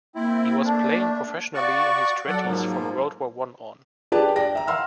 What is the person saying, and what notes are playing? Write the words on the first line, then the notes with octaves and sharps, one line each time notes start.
He was playing professionally in his twenties, from World War One on.
A#3 C4 E4
A3 D4
F#4 D5 F5 C#6
F#3 A4 D5 F#5
G#2 F3 A#3
D4 G4 G#4 B4 D5 A5
D5 G5 A#6
E5 A#5
F5 F#5 C6 E6 F6